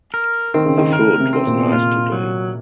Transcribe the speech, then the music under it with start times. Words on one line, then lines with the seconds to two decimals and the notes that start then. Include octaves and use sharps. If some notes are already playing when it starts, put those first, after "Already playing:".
The food was nice today.
0.14 A#4
0.54 D#3 C4
0.65 C#3
0.78 D#3
0.93 C#3 A#4
1.20 C3
1.33 C4
1.47 A#2
1.73 A#2 F4
2.12 F#3